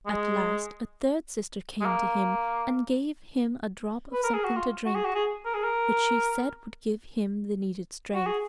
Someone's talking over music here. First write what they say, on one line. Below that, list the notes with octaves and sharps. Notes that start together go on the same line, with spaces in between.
At last a third sister came to him and gave him a drop of something to drink, which she said would give him the needful strength.
G#3
G#3
A#3
B4
A#4
G#4
F#4
F4
F#4
G#4
F#4
G#4
A#4
G#4
A#4
F#4
G#4